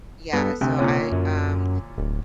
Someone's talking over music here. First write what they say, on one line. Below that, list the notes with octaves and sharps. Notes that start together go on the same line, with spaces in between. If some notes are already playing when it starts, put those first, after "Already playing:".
yeah, so I, um,
G2 B3 A4
D2 C3
A#2 D3 C#4
F#2
D1